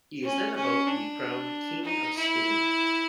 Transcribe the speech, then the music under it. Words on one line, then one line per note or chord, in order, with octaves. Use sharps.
He is then about to be crowned King of Spain.
C#4
C#4
D4
D#4
E4